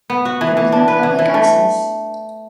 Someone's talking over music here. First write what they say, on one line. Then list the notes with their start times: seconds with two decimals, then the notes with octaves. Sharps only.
There is no public access.
0.10 B3
0.25 F#4
0.41 E3
0.57 E3
0.72 D4
0.88 B4
1.03 E3
1.19 E3
1.34 A3